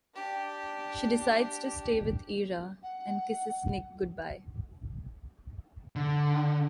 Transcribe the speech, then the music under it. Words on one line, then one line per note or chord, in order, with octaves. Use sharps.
She decides to stay with Ira and kisses Nick good-bye.
D4 G4
F#5
D3